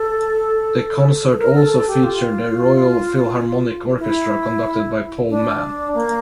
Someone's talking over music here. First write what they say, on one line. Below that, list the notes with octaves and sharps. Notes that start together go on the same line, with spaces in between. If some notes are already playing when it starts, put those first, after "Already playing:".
The concert also featured the Royal Philharmonic Orchestra conducted by Paul Mann.
Already playing: A4
A4
A#4
A4
A4
G4
F4
E4
D4
A#3